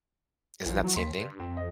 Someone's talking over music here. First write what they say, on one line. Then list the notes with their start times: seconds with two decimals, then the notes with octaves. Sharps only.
isn't that the same thing?
0.66 A#1 E3 F3
0.84 F#3
0.96 D#2 C6 B6
1.18 G2
1.40 F2 C4
1.57 D#5